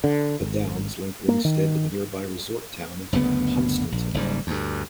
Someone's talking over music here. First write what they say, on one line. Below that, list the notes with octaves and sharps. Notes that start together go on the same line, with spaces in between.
The downs link Ringstead to the nearby resort town of Hunstanton.
D3
G#1
A#3
D#3
F#1 D2 C#3 B3
A#1
F#1 G#2 G3
D2 G2